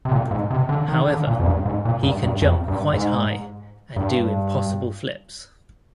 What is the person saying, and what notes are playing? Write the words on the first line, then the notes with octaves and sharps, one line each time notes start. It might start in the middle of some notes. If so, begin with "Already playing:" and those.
However, he can jump quite high, and do impossible flips.
C3
A#2
G#2
C3
D3
D#3
D3
A#2
F2
G2
G#2
A#2
G2
G2
F2
G2
G#2
G2